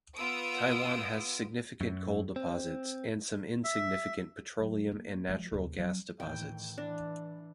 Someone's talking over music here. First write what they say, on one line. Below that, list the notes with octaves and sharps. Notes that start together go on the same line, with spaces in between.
Taiwan has significant coal deposits and some insignificant petroleum and natural gas deposits.
B3 F4 D#6 E6 D7
F#2
C4
E5
F#3
A#3
F3 G#3
D#2 C#3
F#3 C#4
A2 D#3 E3 G5
E3 D4